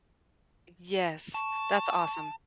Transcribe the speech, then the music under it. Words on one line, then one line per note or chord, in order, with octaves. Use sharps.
Yes, that's awesome.
A5 C#6